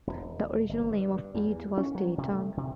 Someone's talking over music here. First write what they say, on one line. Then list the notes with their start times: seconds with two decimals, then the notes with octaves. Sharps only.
The original name of Eads was Dayton.
0.07 E1
0.69 G1
0.91 G2
1.34 E2
1.77 C#4
1.95 F#3
2.18 C3
2.31 A3
2.57 C3